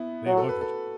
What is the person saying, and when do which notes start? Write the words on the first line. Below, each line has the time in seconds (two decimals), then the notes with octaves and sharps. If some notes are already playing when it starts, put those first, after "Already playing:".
"They look it."
Already playing: B3 E4
0.26 F#3 F#4
0.37 A4
0.49 B4
0.61 A4